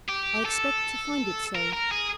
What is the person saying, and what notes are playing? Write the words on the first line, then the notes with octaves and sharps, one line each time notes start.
I expect to find it so.
G4
A4
A#4
A#4
G#4